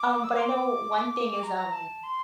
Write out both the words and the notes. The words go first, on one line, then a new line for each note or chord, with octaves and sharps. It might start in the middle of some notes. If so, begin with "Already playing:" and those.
um, but I know one thing is, um,
Already playing: D6
E6
D6
C6
D6
A#5
A5
C6